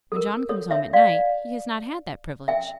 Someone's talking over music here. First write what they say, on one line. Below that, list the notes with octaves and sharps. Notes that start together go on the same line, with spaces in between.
When John comes home at night, he has not had that privilege.
A4
A#4
A4 C#5
C#5 E5
D5 F5
E5 G5